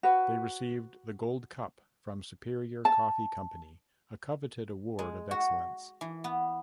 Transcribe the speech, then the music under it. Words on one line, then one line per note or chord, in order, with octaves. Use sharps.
They received the "Gold Cup" from Superior Coffee Company, a coveted award of excellence.
F#4 B4
A5
G#3
F#4
E3
B3